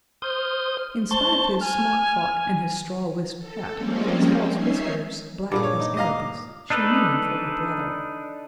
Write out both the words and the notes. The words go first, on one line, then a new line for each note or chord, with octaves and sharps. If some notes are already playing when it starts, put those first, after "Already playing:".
In spite of his smock-frock and his straw-wisped hat, and his false whiskers, black as Erebus, she knew him for her brother.
C5 D#6 F6 G6
C5 A5 C#6 G7
G#5 F6
A4
F3 G3 G#3 A#3 C4 C#4
C#4 D#4 C#5 E5 C7
G2 A#2 G#4 D6
C#5
D#4
D#5 F5 A#5
D4 D#4 A4 B4